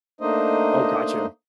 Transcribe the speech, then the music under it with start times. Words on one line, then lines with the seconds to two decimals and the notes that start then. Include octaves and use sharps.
Oh, gotcha.
0.21 A3 A#3 D4 D#4 C5 D#5